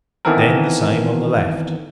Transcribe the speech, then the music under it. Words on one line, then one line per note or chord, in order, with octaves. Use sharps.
Then the same on the left.
D#3 E3 B3 C4 A4 A#4